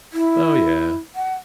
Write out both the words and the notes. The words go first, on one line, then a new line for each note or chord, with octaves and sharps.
Oh, yeah.
E4
F#5